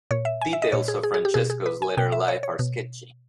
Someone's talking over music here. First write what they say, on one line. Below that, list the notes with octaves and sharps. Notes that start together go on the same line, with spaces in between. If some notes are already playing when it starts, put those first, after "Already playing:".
Details of Francesco's later life are sketchy.
A#2 C#5
E5
G#5
E5
D#5
A#2 C#5
G#4
G#4
G#4
G4
B2 G#4
G#4
B4
G#5
B2 G5
E5
C#5
C#5
B2